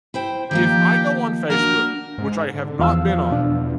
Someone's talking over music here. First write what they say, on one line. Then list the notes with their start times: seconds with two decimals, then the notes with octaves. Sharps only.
if I go on Facebook, which I have not been on
0.14 E4 C5 G5
0.51 D#3 F3 A#3 G4
1.50 A#3 D4 F#4 A#4
2.18 G#2
2.54 D3
2.79 E2 F3 F5 E6
3.31 B2 D4
3.43 E2